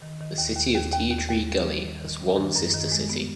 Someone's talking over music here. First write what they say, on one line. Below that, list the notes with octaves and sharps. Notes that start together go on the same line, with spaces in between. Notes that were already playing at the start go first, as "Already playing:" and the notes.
The City of Tea Tree Gully, has one sister city.
D#3
D#3
D#2
D#2
D#2
D#2
D#2
D#2
G3
G3
D#3
D#3
G3
D#3
F#2
D#3
G#3
B3